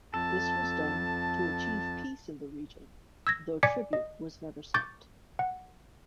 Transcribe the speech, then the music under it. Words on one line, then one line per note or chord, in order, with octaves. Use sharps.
This was done to achieve peace in the region, though tribute was never sent.
F2 A4 A5
E6 G#6 A#6
D5 G#5 D6 G#6 B6 C#7
D#5
C#6 D6 G6 A6
F#5